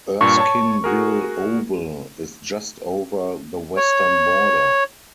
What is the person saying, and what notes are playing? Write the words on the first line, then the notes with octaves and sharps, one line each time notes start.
Erskineville Oval is just over the western border.
G2 A#2 C#6
C#5 A5
F#4 G#4 A#4
C#5